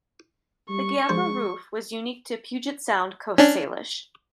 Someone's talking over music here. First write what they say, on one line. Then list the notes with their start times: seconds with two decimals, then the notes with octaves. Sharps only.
The gambrel roof was unique to Puget Sound Coast Salish.
0.69 G3 C#6
1.09 F3 G#3 C5
3.38 C#4 D4